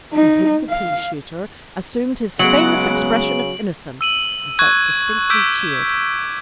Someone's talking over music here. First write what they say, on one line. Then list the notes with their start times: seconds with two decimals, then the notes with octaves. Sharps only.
He hid the pea-shooter, assumed his famous expression of innocence, and felt distinctly cheered.
0.14 D#4
0.69 F5
2.39 C#3 F#3 G#3 B3 F#5 D7 F#7
4.01 E6 D#7 F#7
4.59 C#6 F#6 G#6
5.30 D6 E6 G6 B6 D7